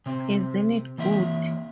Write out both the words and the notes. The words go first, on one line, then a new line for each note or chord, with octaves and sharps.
Isn't it good!
C3 C4
E3 A#3 E5